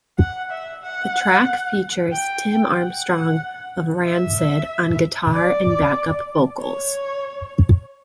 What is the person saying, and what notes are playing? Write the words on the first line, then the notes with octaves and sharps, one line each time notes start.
The track features Tim Armstrong of Rancid on guitar and backup vocals.
F#5
E5
F#5
G5
F#5
E5
D5
C#5